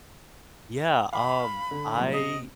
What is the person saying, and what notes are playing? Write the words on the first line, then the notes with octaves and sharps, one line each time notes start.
yeah, um, I
F5 B5
D3
A#2 F#3 G3
C3 D#5